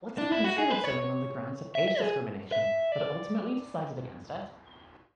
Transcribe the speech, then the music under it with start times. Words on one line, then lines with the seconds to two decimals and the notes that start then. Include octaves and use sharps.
Watson considered suing on the grounds of age discrimination but ultimately decided against it.
0.18 D4
0.32 E4
0.44 F#4
0.58 G#4
0.70 B4
0.84 C#5
1.75 E5
1.88 E5
2.01 G#4
2.52 E5
2.92 D5